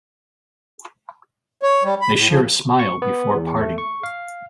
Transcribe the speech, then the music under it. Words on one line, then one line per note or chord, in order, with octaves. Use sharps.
They share a smile before parting.
C#5
G3
B5
A2
F3
C#6
B3
E2
A3
C#6
F5